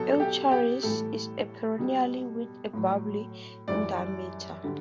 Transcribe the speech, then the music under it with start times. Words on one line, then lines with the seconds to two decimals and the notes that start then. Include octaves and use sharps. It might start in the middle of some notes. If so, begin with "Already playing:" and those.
"Eucharis" is a perennial with a bulb in diameter.
Already playing: B2 F#3 A4
0.12 A4
0.20 G4
0.51 G4
0.83 A2 E3 G3 A4
1.78 B2 G3
2.73 A2 F#3
3.68 F#2 E3 G3 D5
4.63 D3 G3